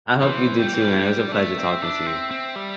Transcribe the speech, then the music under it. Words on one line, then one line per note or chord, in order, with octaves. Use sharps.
I hope you do too, man, it was a pleasure talking to you.
E3 C5
A3 G5
G3
E3
G3
G3
D5
A3 E5
C4
D4
C4
C4
G3